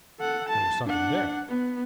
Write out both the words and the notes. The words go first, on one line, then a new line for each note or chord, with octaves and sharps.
There was something there.
A4 F#5
A5
D4 F#5
B3